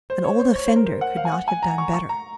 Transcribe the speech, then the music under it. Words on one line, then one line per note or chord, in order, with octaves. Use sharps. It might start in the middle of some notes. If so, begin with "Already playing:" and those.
An old offender could not have done better.
C5
C#5
C5
C#5
C5
A#4
C5
F#5
F5
G#5
F#5
G#5
A#5
C#6
C#6
A#5